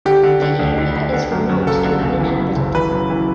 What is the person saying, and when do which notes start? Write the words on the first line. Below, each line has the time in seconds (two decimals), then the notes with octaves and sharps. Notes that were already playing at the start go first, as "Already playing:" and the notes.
The area is remote and uninhabited.
0.05 D3 G4
0.23 D3
0.42 D3
0.59 D2
0.78 D3
0.96 D3
1.13 D3
1.32 F#2
1.49 F#2
1.66 F#1 A4
1.85 D3
2.02 F#1
2.20 E3
2.39 F#2
2.56 F#1
2.75 E3 B4
2.91 F#2
3.10 E3